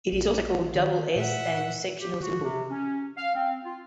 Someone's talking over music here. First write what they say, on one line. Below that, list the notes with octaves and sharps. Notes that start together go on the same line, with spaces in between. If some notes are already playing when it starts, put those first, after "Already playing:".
It is also called "double S" and "sectional symbol".
A#1
D#3
A#2 E5 F#5
G4
F#4
C3
C#4
F5
C4
F4